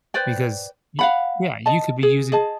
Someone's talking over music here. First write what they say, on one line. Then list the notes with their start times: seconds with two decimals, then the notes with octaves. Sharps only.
because, y yeah, you could be using
0.14 B4 C5 D5 G5
0.99 F5 F#5 B5
1.66 D#5 A5
2.03 G#4
2.32 G#4 D#5 A5